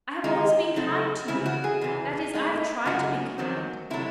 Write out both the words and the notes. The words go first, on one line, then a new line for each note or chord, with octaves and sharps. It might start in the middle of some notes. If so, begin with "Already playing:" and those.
I have always been kind to you--that is, I have tried to be kind.
D#3 G#3 C4 D#4
C#3 F#3 A3 C4 D#4
C#3 E3 C4 E4
F#4
G#4
E2 C3 E3
A2 G#3 D#4
F#2 C#3 G#3 C#4 F#4
E2 D#3 F#3 C4
C3 F#3 A3 E4